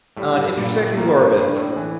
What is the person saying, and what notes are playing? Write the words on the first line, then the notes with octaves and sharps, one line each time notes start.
On intersecting orbit.
A2 G3
G2
G2 A#2
A2
A2 A#3
G2
G2 D4
A2
E3